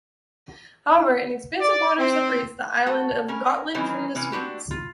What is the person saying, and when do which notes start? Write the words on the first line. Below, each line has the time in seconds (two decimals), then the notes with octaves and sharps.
However, an expanse of water separates the island of Gotland from the Swedes.
1.61 D5
1.99 C4
2.86 A3 F#4
3.28 C#4 A#4
3.74 D#3 E3 F#3 C4 C#4
4.15 C3 E3 C#4
4.32 C4 D4 F#4 G4
4.71 F4